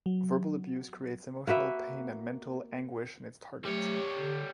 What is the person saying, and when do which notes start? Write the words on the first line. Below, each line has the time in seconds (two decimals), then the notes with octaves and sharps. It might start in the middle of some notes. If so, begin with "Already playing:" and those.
Verbal abuse creates emotional pain and mental anguish in its target.
0.06 F#3
1.47 A#3 F#4 B4 E5
3.65 F#3 G3 A3 G4 C#5
4.17 D3